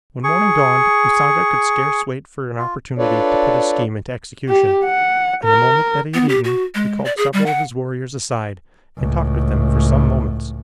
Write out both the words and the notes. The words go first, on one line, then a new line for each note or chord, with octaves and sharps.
When morning dawned Usanga could scarce wait for an opportunity to put his scheme into execution, and the moment that he had eaten, he called several of his warriors aside and talked with them for some moments.
G#4 C#6
F4
D4 F4 A4 B4 C#5 D5
G4
F#5
A#4
B3
G4
F#4
G#3
D5
G#4
G3
F#5
C#2 A2